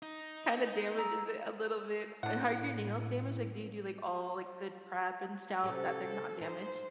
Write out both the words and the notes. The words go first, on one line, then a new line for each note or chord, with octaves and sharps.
kinda damages it a little bit. Are your nails damaged? Like, do you do like all like good prep and stuff that they're not damaged.
D#4
G#4 A#5 E6
A2 D4 F#5
C3 C#4 G4 A4
D#4 C5